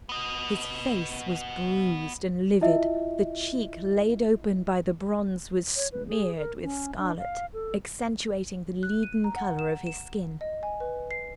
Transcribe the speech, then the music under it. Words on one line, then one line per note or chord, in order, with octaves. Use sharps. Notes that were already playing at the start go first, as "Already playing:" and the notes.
His face was bruised and livid; the cheek laid open by the bronze was smeared with scarlet, accentuating the leaden colour of his skin.
B3 D#5
E4 F4 D#5 E5
C#5
B4
G#4
A#4
C#4
D4
F5
A4
F#6
D#7
A#5
F#5
E7
E7
D#5
G#5
B4
C7